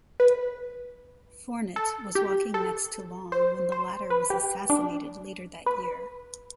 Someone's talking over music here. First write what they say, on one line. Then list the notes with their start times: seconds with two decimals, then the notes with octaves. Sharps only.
Fournet was walking next to Long when the latter was assassinated later that year.
0.20 B4
1.76 A4
2.15 G4
2.54 A4
3.32 C5
3.72 C5
4.10 B4
4.30 G4
4.70 D4
5.66 B4